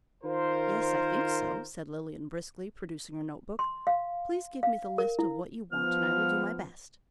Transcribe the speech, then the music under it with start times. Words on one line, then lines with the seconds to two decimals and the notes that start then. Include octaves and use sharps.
"Yes, I think so," said Lilian briskly, producing her notebook. "Please give me the list of what you want and I will do my best."
0.24 D#3 F4 A#4 C5
3.59 C6
3.87 F5
4.63 F5
4.98 A#4
5.19 E4
5.72 F3 B3 F6